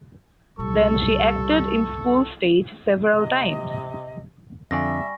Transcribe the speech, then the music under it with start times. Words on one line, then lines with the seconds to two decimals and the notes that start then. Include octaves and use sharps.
Then she acted in school stage several times.
0.59 C2 A#2 G3 A4 C#6
3.08 C3 D#5
4.71 F2 D3 G3 D5 E5 G#5 C#6 A#6